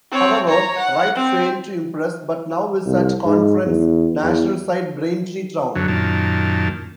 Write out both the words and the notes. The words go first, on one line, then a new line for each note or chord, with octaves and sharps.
However Wright failed to impress, but now is at Conference National side Braintree Town.
C4 C#5
C#5 A#5
F#5
C4
C2
G#2
E2
E2
F#2 D3 F#3
F#2 A#2 D#3 A5